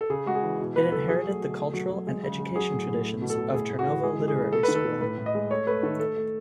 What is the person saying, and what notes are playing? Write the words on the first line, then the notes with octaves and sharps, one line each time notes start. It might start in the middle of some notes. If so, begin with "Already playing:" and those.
It inherited the cultural and education traditions of Turnovo Literary School.
A4
C#3 G#4
G#3 F#4
G#4
E3
B2
B2 B4
F#3 A4
F#3 G#4
A3
B2
A3
F#3
F#3
G#3
C#3
C#3
F#3 G#4
A2
A2
A3
B2
A4
B2
A2 G#4
A2
F#4
E3
G#3 G#4
G#3
G#4
C#3
A3 A4
B4
D#3
A4
D#3
A2 B4
A2
D#5
G#3
A3 C#5
A3 B4
D#3 A4
A3 A4
A3